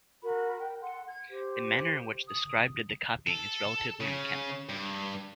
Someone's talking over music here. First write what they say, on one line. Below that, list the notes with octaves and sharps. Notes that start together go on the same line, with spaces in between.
The manner in which the scribe did the copying is relatively mechanical.
F#4 A#4 B5
G5
A4 F#5 C6
G#6
G4 C5
D#6
A4
C#3
G2